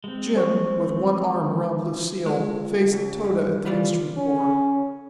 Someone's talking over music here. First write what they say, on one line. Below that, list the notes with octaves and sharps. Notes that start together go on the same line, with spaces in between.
Jim, with one arm round Lucille, faced Tode at the instrument board.
G#3 C4
F3 C5 C#6
C#2 G#3
C#2
G2
C#3 E3 G3 F4 D5
C#4